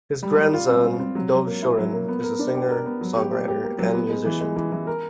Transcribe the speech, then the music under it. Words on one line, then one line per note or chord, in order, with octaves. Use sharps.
His grandson Dov Shurin is a singer-songwriter and musician.
G3
G3
F4
C4
C4
C4
F#3
F#3
A#3
E4
F#3
A#3
B3
A#4
D4
G4
A#4
B3
F#3
G4
G4
G4
A#3
F#3
B3
G#3
E3
G#3
E3
E3
A#4